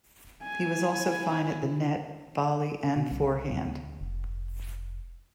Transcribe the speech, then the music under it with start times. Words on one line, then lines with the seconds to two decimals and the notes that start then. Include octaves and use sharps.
He was also fine at the net, volley and forehand.
0.43 G#5
0.76 E4
2.97 B2
3.12 C2
3.51 D2
4.01 F1